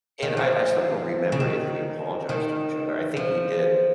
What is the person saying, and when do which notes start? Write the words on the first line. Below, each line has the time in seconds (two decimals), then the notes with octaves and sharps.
and I I still don't remember if we apologized to each other, I think we did,
0.22 D#3
0.37 F3
1.32 C#3
1.40 D#3
2.29 D#3
3.17 F3